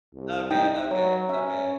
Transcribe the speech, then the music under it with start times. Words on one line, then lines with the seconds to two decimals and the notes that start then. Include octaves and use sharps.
Okay, okay, okay.
0.14 C2
0.51 D#4 G5
0.91 F#3 C#5 A#5
1.29 C#4 E5